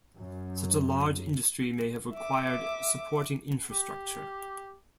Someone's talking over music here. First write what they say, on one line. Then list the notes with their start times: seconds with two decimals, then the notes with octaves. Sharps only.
Such a large industry may have required supporting infrastructure.
0.17 F#2
2.13 E5 D6
3.71 G4